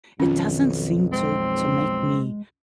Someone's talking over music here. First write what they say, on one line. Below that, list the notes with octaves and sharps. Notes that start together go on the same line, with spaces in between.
it doesn't seem to to make me
B1 F2 D#3 C#4 F4
G#3 C4